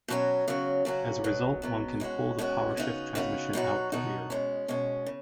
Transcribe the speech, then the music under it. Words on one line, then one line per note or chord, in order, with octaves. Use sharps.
As a result, one can pull the powershift transmission out the rear.
B2 F#3 C#4 F#4
C#3 F#3 C#4 F#4
C#3 F#3 C#4 F#4
B2 F#3 B3
B2 F#3 B3
B2 G#3 C#4 F#4
B2 G#3 C#4 F#4
C#3 B3 D#4 F#4
C#3 B3 D#4 F#4
B2 F#3 D#4 F#4
B2 F#3 D#4 F#4
B2 G#3 C#4
B2 G#3 C#4
C#3